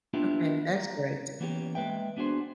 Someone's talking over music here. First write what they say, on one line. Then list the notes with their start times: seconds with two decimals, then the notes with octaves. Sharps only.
Okay, that's great.
0.14 A#3 B3 D4 E4 F4 G4
0.76 A#4
1.40 E3 A#3 B3 C#4 D#4 G4
1.75 G#3 A#3 B4 E5 G5
2.17 B3 D4 F#4 G#4 C5